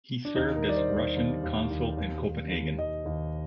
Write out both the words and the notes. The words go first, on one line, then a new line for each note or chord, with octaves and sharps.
He served as Russian consul in Copenhagen.
D4
D#2 D#4
A#4
G3
D5
C5
D#2
C5
D#2
D#2
D#2
D#2
D#2
D#2
D#2 D#5
D#2